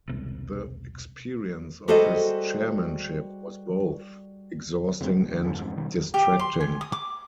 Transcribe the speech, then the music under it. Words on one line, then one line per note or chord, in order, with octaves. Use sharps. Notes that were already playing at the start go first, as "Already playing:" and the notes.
The experience of his chairmanship was both exhausting and distracting.
E1 C2
G3 F#4 G#4 A4 C5 D#5
F2 C#3 G#3 C4
D1
D#1 D2
G1 G2 D3 E3
F2 G#2
B2 D#3 G3
G4
C6
G#5
D#6
D6